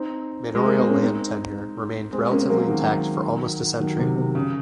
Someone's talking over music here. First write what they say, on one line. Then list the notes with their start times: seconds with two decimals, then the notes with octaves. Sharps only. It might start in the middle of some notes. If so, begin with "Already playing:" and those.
Manorial land tenure remained relatively intact for almost a century.
Already playing: C4 D#4
0.55 G#3
0.66 A#3
0.78 C4
0.90 C#4
1.02 C4 D#4
2.13 G#3 C4
2.32 A#3 C#4
2.40 C4
2.50 F#3 A#3
2.68 D#3 F#3
3.80 D#3 F#3
3.98 C3 D#3
4.16 C3
4.35 C#3